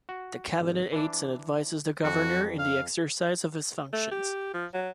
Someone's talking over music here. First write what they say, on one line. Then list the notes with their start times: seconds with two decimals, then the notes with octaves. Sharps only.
The cabinet aids and advises the Governor in the exercise of his functions.
0.09 F#4
0.61 G#1
0.92 E3 D4
2.04 F2 F#4
2.59 F5
3.93 A3
4.12 G4
4.54 F3
4.74 F#3